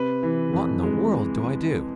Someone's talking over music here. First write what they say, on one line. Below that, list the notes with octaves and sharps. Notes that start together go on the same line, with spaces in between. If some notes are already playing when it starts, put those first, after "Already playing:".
What in the world do I do?
Already playing: C3 B4
E3
F2
G#3